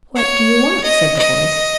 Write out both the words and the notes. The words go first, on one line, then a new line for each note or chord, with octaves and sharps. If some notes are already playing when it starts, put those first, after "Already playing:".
"What do you want?" said the voice.
C#5
D#5
D#5